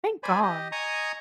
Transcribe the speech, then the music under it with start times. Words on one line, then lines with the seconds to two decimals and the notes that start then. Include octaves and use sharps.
Thank God.
0.23 C5 D5 G#5 B5
0.42 G4 D#5
0.72 D#5 G#5 A#5 C#6 D#6